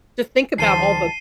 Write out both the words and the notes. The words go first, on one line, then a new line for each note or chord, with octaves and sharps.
to think about all the,
C#2 D#3 F3 A5 C7 D#7 G7